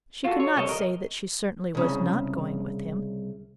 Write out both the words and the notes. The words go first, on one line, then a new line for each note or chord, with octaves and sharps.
She could not say that she certainly was not going with him.
F4 F#4 A4
C#5
C2 G3 A4 C#5 D#5 A5
A#4 D#5
C2 C#3